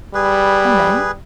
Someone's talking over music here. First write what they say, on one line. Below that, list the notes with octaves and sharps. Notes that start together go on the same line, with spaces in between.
"And then?"
G3 G#4 B4